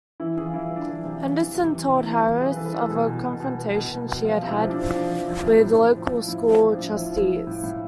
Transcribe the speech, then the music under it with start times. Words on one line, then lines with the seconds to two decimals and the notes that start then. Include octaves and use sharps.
Henderson told Harris of a confrontation she had had with local school trustees.
0.20 E3 E4
0.37 E3 G#4
0.46 F4
0.54 E3 E4
0.70 E3
0.76 D4
0.87 E3 E4
1.04 C3
1.21 E3
1.38 E3
1.55 C3
1.72 E3
1.89 C3
2.06 E3
2.22 E3 F4
2.40 C3 G#4
2.52 B4
2.56 E3 A4
2.66 B4
2.73 E3 A4
2.90 B2 G#4
3.06 B2
3.24 B2
3.40 B2
3.58 B2
3.75 B2
3.91 B2
4.08 B2
4.25 F3 F4
4.42 C3
4.48 E4
4.59 F3 C4
4.70 D4
4.76 F3
4.93 F3 D4
5.10 F3
5.27 F3
5.44 C3
5.60 A2
5.77 A2
5.95 F3
6.12 F3
6.28 A2 E4
6.46 F3
6.51 C4
6.62 F3
6.74 D4
6.79 A2
6.95 F3 E4
7.06 F4
7.12 F3
7.17 E4
7.30 F3
7.47 A2
7.63 A2